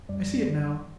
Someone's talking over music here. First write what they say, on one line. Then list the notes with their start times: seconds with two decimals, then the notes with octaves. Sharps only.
I see it now.
0.09 F#2 G3 D5